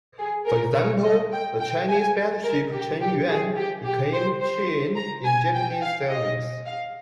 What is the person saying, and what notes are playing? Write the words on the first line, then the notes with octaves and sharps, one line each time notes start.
For example, the Chinese battleship "Chen Yuan" became "Chin'en" in Japanese service.
G#4
A#4
C#5
D#5
G5
G5
G#5
A#4
G4
G4
G#4
G4
G4
C5
C5
A#5
G#5
G5
F5
D#5
F5